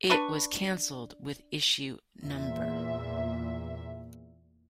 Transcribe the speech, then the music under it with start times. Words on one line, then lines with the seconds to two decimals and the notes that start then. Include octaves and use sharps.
It was cancelled with issue No.
0.10 D4 B4 C#6
2.22 E2 A#2 E5